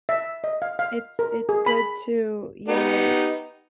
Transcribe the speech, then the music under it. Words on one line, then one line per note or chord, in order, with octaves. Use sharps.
it's it's good to, you know,
E5
D#5
F5
F5
A#4
G#4
B5
B3 D#4 G4